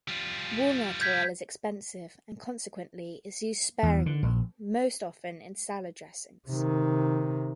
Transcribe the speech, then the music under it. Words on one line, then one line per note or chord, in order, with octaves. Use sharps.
Walnut oil is expensive and consequently is used sparingly; most often in salad dressings.
G3 F4
G6 G#6 B6
E2
D3
A#1
C3 D#3